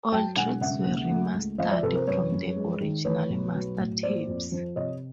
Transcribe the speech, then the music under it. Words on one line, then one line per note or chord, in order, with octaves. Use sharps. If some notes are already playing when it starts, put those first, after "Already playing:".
All tracks were remastered from the original master tapes.
F#3 G5 A5
E1 F#5 G#5
C#3 E5 F#5
D#2
A3
C#2
F3 D#5 F5
D5 E5
C3 A4 B4
A#4 C5
F#2 B4 C#5
F#2
G#3
D#3
A3 B4 C#5
B1
F#3
A2
A#3 C5 D5
F2
F3
C3 C#5 D#5